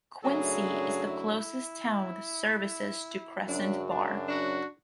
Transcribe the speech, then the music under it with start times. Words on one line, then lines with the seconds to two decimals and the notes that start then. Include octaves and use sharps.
Quincy is the closest town with services to Crescent Bar.
0.22 F#2 C#3 F#3 A3 D4 E4 G#4
1.04 E4
3.48 F#2 C#3 F#3 D4
3.88 D4
4.28 D4 F#4